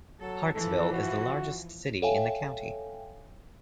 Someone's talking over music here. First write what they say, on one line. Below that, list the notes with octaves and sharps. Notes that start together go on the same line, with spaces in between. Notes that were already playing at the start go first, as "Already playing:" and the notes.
Hartsville is the largest city in the county.
F#3 A4
E3 F3 A4
F#4
A4 C#5 E5 F5 G5 G#5